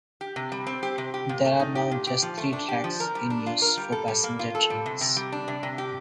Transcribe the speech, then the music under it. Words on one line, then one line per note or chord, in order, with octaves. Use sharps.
There are now just three tracks in use for passenger trains.
G4
C3
G3
C4
G4
C3
G4
A#2
A3
D#4
G4
A#2
G4
F3
A3
D4
G4
F3
A#4
G3
D4
F4
A#4
G3
A4
G3
A#3
F4
A4
G3
C3
C3
G3
D4
C3
C3
G4